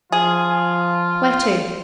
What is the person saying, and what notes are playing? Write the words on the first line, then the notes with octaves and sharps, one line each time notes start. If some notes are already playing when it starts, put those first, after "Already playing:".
"Where to?"
F3 F4 G#4